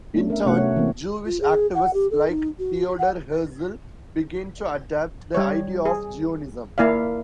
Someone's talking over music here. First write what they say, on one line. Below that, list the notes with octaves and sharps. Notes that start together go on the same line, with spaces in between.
In turn, Jewish activists like Theodor Herzl began to adopt the idea of Zionism.
A3 B3 C#4 D4
A#4 E5
C3 A3 B3 C#4 F#4 F#5
C#5
E3 A#3 C4
F4
G#4
F#5
G4
A4
D#4
F#4
F#5
G3 C#5
G#4
A#3 E4 D5 F5